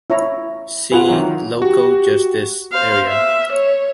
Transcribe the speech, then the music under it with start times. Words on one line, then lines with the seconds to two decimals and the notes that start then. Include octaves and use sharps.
See: Local justice areas.
0.10 E4 C#5 A#5
0.92 F4 G#4 B4 F#5 F7
1.08 D#3 E3 F#3
1.62 F#4 G4
2.72 C5 F5
3.07 E5
3.52 C#5